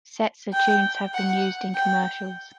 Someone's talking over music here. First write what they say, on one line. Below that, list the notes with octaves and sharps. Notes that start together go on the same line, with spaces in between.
Setzer tunes have been used in commercials.
G5
F#5
G5